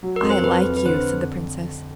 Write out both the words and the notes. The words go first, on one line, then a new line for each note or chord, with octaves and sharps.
'I like you!' said the Princess.
F#3
A#4
F2
C5
F2 B4
F2
B4
D3 C5